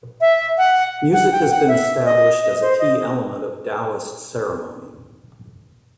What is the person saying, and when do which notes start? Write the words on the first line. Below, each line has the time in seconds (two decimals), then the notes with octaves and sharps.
Music has been established as a key element of Taoist ceremony.
0.21 E5
0.58 F#5
1.13 F#5
1.32 G5
1.50 F#5
1.68 E5
2.05 D#5
2.43 D#5
2.61 C5
2.79 D#5